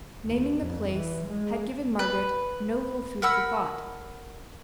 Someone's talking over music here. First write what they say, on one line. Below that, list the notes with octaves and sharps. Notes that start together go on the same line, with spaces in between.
Naming the place had given Margaret no little food for thought.
D#2
F2
E3
G#3
B4
A#4 F#5 B5 E6